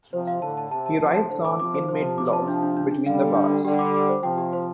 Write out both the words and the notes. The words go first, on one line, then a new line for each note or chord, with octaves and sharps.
He writes on inmate blog "Between the Bars".
C3 F3 C5
F5
A2 D3 A5
A5
C3 A5
A5
C3 F3 A5
A5
A2 D3 C5
D6
C3 F3 D6
C5
C3 F3 C5
A5
D6
A5
D4
D4
D4
D4
D3 G3 F5
A4
D4
D4
D3 G3 G4
D6
D6
C5
C3 F3 G5
G4
C5